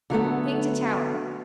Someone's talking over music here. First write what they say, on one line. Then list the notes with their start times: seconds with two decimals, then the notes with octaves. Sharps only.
King to tower.
0.10 D3 F#3 A3 B3